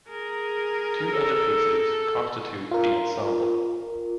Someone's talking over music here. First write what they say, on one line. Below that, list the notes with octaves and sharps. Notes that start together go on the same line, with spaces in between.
Two other pieces constitute the "Ensemble".
G#4 A#4
A4
F4 A#4